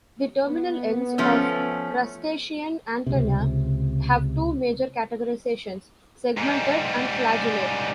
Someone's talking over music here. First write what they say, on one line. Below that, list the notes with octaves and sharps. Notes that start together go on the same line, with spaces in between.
The terminal ends of crustacean antennae have two major categorizations: segmented and flagellate.
B3
F3 A3 C#4
C#2 C3
G#2 G3